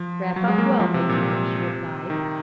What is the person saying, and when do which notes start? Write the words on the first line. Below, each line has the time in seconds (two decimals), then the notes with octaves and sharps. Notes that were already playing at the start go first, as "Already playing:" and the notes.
"Wrap up well, my dear," she replied.
Already playing: F3
0.36 F#3
0.48 G#3
0.58 A#3
0.80 F3
0.94 C3
1.09 A#2
1.23 C3
2.10 D#3